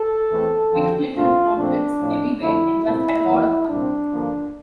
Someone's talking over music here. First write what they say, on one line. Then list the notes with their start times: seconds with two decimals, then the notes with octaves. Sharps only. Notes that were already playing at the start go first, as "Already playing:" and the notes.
We took little road trips everywhere and just had a lot of fun.
Already playing: A4
0.30 E2 E3 A3 C4
0.72 F2 D3 F3 C4
1.15 C2 A#2 A3 C4 F4
1.57 A#2 F3 A3 C4 D4
2.00 A2 F3 C4
2.42 F2 D3 A3 E4
2.84 C2 A#2 A3 C4 E4
3.26 F2 E3 A#3
3.69 C2 A#2 G3 C4 D4
4.12 G2 D3 F3 A#3